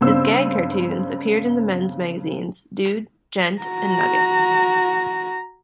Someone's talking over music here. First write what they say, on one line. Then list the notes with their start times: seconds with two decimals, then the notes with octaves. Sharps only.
His gag cartoons appeared in the men's magazines "Dude", "Gent" and "Nugget".
0.01 G2 C#3 B3 C4 C5 E6
3.62 F#4 A#5